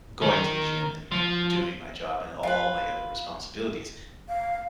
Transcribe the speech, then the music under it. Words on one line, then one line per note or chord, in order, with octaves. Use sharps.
going to the gym and and doing my job and all my other responsibilities,
D#3
F3
F4 B4
F5